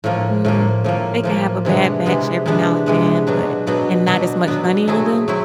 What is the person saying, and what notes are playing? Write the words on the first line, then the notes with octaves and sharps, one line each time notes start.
mm, they can have a bad batch every now and then but and not as much honey on them
A2 F3 A#3
A2 F3 A#3
A2 F3 A#3
A2 F3 A#3
C3 E3 G#3 B3 D4
C3 E3 G#3 B3 D4
C3 E3 G#3 B3 D4
C3 E3 G#3 B3 D4
B2 F#3 B3 D4
B2 F#3 B3 D4
B2 F#3 B3 D4
B2 F#3 B3 D4
F#3 A3 C4 E4 G#4
F#3 A3 C4 E4